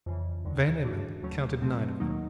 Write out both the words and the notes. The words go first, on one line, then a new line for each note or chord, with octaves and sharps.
Van Emmon counted nine of them.
F2 C#3 E3
D#2 D3 F#3
G#2 E3 A3 D4 F#4
D#2 C#3 F#3 A3 C#4
B2 F#3 A3 C4
D#2 D#3 F#3 A#3 D#4